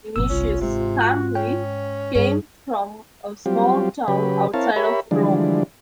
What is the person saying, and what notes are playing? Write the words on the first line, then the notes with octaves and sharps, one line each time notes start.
Vinicius' family came from a small town outside of Rome.
G1 A#2 F3 B3 E6
C2 C#4 F4
G#2 C3
F#4 F#6
C#4 G5
G2 C#4 G#4
F#3 G3 C4 F4 G4
C#3 F#3 G4 B4
C4 E4 A#4 C#5 F5 A5
G4 A#4 C#5 E5 B5
D3 E3 F3 G3 G#3 D4